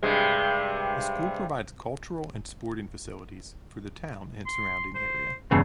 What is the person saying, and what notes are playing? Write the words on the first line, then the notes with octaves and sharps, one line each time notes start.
The school provides cultural and sporting facilities for the town and surrounding area.
G2 C3 G#3
C6
C5
E2 G2 C#3 C5